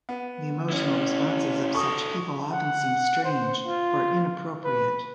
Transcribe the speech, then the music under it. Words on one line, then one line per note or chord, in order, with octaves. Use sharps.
The emotional responses of such people often seem strange or inappropriate.
B3
C#4 E4
F#4 A4 C#6 D#6
F#5
C5
F4
B4